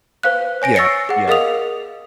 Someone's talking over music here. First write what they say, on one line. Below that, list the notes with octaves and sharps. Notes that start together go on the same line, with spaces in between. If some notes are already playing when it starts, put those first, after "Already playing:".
Yeah, yeah.
B4 C5 F5 F#6
C#5 G#5 A#6 D7
C#6 E6 A6 A#6 C7 C#7
G#4 F#5
G#4 A#4 D#5 F5 D#6 F7